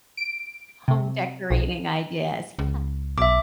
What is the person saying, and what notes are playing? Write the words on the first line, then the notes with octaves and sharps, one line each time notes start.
home decorating ideas Yeah,
D7
C3
B1
C#2
B1 E5 D6